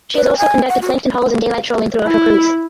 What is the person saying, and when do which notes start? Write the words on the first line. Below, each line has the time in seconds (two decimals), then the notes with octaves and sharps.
She also conducted plankton hauls and daylight trolling throughout her cruise.
0.15 B4
0.37 G#5
0.68 F#5
0.81 F#4
2.05 E4